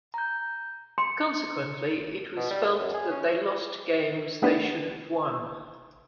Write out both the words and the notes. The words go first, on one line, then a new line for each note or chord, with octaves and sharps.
Consequently, it was felt that they lost games they should have won.
A#5 G6
C6 C#7
B2
G3
D#2
F#2
G#4
C#4
A3 B3 D4 G4 B4